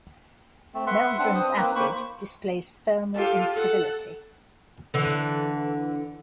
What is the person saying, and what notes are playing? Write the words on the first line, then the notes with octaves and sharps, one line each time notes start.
Meldrum's acid displays thermal instability.
A3 C4
B4 E5 F#5 C6
C4 D4 B4 F#5
C4 C5 D#6
A#3 C4 D#4 B4
A#3 C5 B5 C#6
F4 G4 A4
A4 F#5
D3 E3